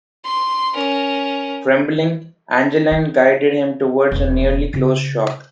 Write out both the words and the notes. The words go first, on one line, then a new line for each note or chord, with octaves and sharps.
Trembling, Angeline guided him towards a nearly closed shop.
C6
C#4 A#4
E4
E1 B3
C#3